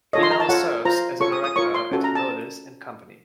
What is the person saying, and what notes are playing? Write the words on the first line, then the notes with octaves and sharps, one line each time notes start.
He now serves as a director at Moelis and Company.
F4 A4 C#5 D#5
C6
A#5
A5
F4 A4 C#5 F#5
F4 C5 A#5
F4 A4 C#5 C#6
D#6
D#6
F4 A#4 C#5 C#6
C6
C#4 F#4 A4
A#5
A5